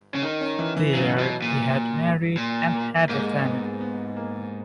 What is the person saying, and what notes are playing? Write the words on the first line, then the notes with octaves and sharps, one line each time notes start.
There he had married and had a family.
C#3 C#4
D#3 D#4
C#4
E3
E3
C#3 F#3
B2
A#2
A#2
A#3
G#2 A#3
G#3
A#3
B3
B3
A#3